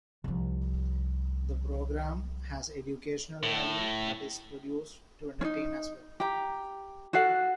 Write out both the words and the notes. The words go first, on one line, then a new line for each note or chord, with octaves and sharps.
The program has educational value, but is produced to entertain as well.
C2 F3
A2
C#4 D#4
G4 A#5
F#4 A4 F5 F#5